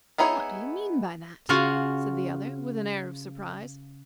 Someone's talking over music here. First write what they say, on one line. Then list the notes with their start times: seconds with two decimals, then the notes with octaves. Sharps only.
"What do you mean by that?" said the other, with an air of surprise.
0.18 B3 D#4 E4 G#4 C#5
1.49 C#3 F4 F#4 F5 F#5 G#5